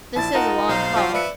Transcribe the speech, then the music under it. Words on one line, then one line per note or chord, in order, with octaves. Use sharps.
'This is a long call.
A#1 E4 A5 A6
D#4 F4 A#4 F#5
B1 C5 F5
F3
B4 D5 E5 C#7